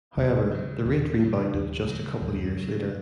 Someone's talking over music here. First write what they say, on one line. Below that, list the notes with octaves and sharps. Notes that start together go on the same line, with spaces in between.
However, the rate rebounded to just a couple years later.
D#2
C#3 F#3
D#2
C#3 F#3
D#2
C#3 F#3
D#2
C#3 F#3